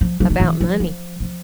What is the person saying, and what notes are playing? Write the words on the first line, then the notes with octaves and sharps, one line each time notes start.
"About money."
F3
F3
D#3
E3
F3
F3
F3